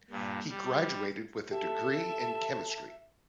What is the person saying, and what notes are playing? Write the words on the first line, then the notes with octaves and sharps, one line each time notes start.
He graduated with a degree in chemistry.
G2 A#2
G3
G4 A4 E5 A5